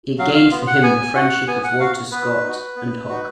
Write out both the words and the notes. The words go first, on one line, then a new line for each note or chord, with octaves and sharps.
It gained for him the friendship of Walter Scott and Hogg.
F#3 F5
F5
B3 F4
F#5
B3 G#5
F#4 F#5
B3 G#5
F#5
F#4 F5
B3 B4
D#4 F#4
B3
D#4 F#4